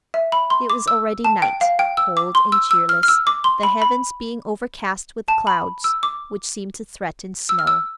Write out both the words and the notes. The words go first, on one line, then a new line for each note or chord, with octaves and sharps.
It was already night, cold and cheerless, the heavens being overcast with clouds which seemed to threaten snow.
E5
B5
C6
D6
E6
A5
G5
F5
G5
E6
D6
C6
E6
E6
F6
F6
E6
D6
C6
B5
B5
A5
B5
E6
D6
E6
F6
E6